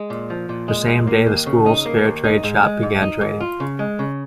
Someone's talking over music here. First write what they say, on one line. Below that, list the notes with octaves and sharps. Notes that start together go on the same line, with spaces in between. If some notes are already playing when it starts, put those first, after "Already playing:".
The same day the school's fair trade shop began trading.
Already playing: G#3
A#2
F3
A#2
G#3
A#2
A#3
D#2
C#3
D#4
A#3
D#2
D#4
G#2
G#3
G#2
D#4
G#2
F4
C#3
G#3
C#3